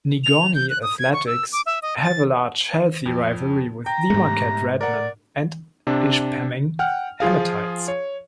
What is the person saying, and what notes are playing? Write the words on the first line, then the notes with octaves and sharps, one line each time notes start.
Negaunee athletics have a large, healthy rivalry with the Marquette Redmen and Ishpeming Hematites.
F7
G6
F#6
D#6
G#6
C#6
E6
D6
E5
D#5
A6
F2
G5 A#5
G1 G#2 A3 G4
A#4 D5 F#5
C3 D4
F#5 G5 F6
F3 F4 G#4 F5
C#5